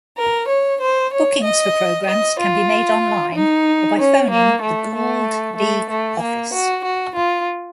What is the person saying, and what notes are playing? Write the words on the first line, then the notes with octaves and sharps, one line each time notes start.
Bookings for programs can be made online or by phoning the Gould League office.
A#4
C#5
C5
C#5
D#5
D#5
F4
D#4
C#4
A#3
A3
A3
A3
A3
A#3
F#4
F#4
F4